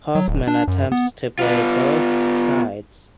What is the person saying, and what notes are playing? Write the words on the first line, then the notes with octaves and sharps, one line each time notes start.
Hoffman attempts to play both sides.
F#3
D1
D4
F#2
B3
B3 F4